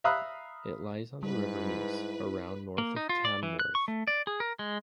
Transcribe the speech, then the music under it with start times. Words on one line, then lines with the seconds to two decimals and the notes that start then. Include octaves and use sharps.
It lies on the River Mease, around north of Tamworth.
0.04 E5 F5 A#5 B5 D#6 F#6
1.23 G#2 G3 E4 B4
2.78 A#3
2.96 D#4
3.09 F4
3.25 D5
3.43 E3
3.59 F#6
3.75 C#6
3.88 A3
4.07 D5
4.27 G#4
4.40 A#4
4.59 G#3